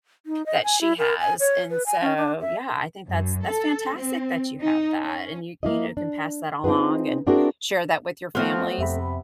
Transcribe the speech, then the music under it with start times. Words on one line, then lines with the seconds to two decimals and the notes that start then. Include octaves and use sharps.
that she has, and so, yeah, I think that's that's fantastic that you have that, and you you know, can pass that along and share that with your families,
0.26 D#4
0.46 D#5
0.64 G#5
0.81 E4
0.99 A#4
1.20 G#5
1.40 C#5
1.70 B4
1.86 G#5
2.02 C#4
2.17 D4
2.41 E5
3.08 F#2
3.45 A4
3.96 C4
4.61 D#4
4.99 C#4
5.63 A#3 E4 D#5
5.97 D4
6.64 C4 D#4 F4 G#4 B4
7.27 C4 D4 E4 F#4 G#4 A#4
8.35 F3 A3 B3 C4 C6 F6
8.78 F2 C3 E5 B5